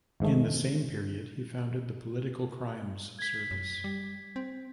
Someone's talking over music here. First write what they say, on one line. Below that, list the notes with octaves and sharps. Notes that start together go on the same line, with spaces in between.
In the same period he founded the Political Crimes Service.
G#1 G#2 G#3 A3
G#6 B6
F#2
G3
C4